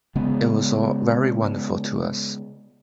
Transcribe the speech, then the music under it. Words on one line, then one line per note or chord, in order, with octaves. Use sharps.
It was all very wonderful to us.
C#3 G#3 B3